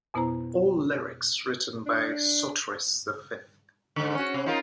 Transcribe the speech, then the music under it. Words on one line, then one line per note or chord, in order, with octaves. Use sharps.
All lyrics written by Sotiris the Fifth.
F2 B2 B3 E4 C5 A#5
D4
G#2 D3
C#4 F#4
C3
D#4 F4 A#4